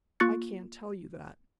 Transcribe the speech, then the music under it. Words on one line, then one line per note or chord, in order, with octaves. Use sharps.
"I can't tell you that."
A#3 F4 C#6 F#6 A6 C#7